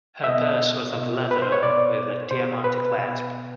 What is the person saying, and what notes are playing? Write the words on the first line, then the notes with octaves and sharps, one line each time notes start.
Her purse was of leather, with a diamante clasp.
E5
B2 D#5
B2
B4
C5
C#5
B2 D5
B2 C5
B4
B2